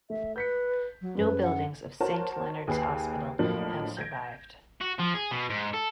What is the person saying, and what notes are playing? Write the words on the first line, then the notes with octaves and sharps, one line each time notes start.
No buildings of Saint Leonard's hospital have survived.
A3 E5
B4 G6 B6 C#7
F#3
F#2 G#4 B4 C5
F#5
F#4 A#4 C5 C#5 A5
D#2 G#4 B4 C7
F2 A2 F3 F#3 A#3 D4
G6 G#6 A#6 D7
F#4
F3
G#4
B2
G#2
A4